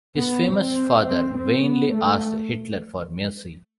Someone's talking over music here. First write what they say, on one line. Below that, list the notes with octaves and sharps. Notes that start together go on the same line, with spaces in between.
His famous father vainly asked Hitler for mercy.
B3
C4
C4
C4
B3
A3